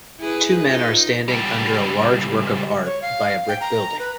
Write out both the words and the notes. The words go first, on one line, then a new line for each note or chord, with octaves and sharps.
Two men are standing under a large work of art by a brick building.
E4 G#4 B4
D#4 F4
C#2 G3
C#5
F5
G5
A#5
B4